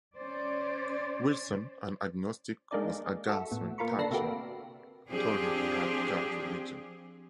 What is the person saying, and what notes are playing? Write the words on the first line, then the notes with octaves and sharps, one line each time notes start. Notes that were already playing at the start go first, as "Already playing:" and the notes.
Wilson, an agnostic, was "aghast" when Thacher told him he had "got religion".
C#4 C5 D5
G#3 A#3 D4 D#4 G#4 D5
F#4 A4 E5
A2 B3
A#3 F4 A#4 B5 C#6
D3 D4 A4 B4 A#6 C7
C3 A3 A#3 F#4 G4 B4
F3 C4 D4 G4 G#4